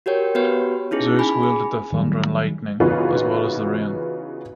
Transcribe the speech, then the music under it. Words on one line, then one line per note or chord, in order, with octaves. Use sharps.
Zeus wielded the thunder and lightning as well as the rain.
F#4 G4 A#4 C#5 G5
B3 F#4 G4 B4 C#5
C#4 D#4 E4 G#4
G#5 B5
G#4
D#3 F#3 G3
C#3 E3 B3 D#4 F4 F#4